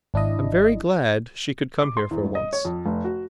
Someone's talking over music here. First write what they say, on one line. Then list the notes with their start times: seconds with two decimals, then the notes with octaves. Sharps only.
I'm very glad she could come here for once.
0.14 G#1 D4 E4 D#5
1.81 D6
1.97 C6
2.11 E2
2.24 G1
2.35 D#5
2.53 C#5
2.65 F2
2.86 F1
3.04 F#4